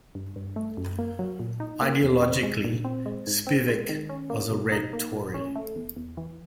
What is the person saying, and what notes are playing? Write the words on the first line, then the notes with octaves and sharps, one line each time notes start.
Ideologically, Spivak was a Red Tory.
G2
G2
A3
F#2
A#3
F#3
A#2
D#4
A#3
E2
C4
G#3
A#2
C4
G#3
G#2
C4
G#3
D#3
C#4
A#3
B2
D#4
A#3
A#2
C#4
A3
E2
E2
E3